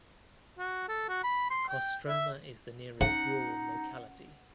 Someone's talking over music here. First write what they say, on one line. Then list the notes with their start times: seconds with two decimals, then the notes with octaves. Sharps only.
Kostroma is the nearest rural locality.
0.59 F#4
0.89 A4
1.09 F#4
1.23 B5
1.50 C6
1.69 G5
2.08 E5
3.01 C#4 D#4 F#5